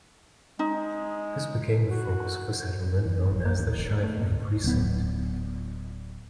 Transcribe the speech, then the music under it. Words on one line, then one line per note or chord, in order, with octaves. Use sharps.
This became the focus of a settlement known as the Shively precinct.
G#3 D#4
F#4
E2
A1
A#3
D#2
E1
G#2
A3
A#2
C#2
D1 B3